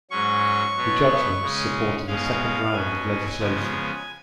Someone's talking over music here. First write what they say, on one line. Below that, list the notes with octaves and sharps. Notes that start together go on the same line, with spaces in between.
The judgments supported a second round of legislation.
G#2 F#3 C#4 C#6
B2 F#3 B3
C#3 G#3 C#4
B2 G#3 C#4 F5
B2 F#3 C#4 G#5
C#3 F3 G#3 B3